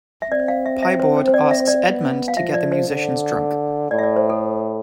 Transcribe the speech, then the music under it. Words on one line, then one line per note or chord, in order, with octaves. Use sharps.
Pieboard asks Edmond to get the musicians drunk.
E5
C4 D5
F5
E5
E5
C5
C5
C5
D5
E5
D5
B3
F5
F3 E5
D5
C5
D3
A2 D5
E5
D5
C5
A4